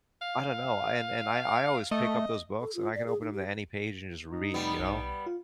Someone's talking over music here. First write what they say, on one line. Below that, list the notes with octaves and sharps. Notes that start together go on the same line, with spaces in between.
I don't know, I and and I I always pick up those books, and I can open 'em to any page and just read, you know?
F5
A3 D#5
A4
F4
D5
G#4
D#4
G4
D#4
G3 B3
B1
F4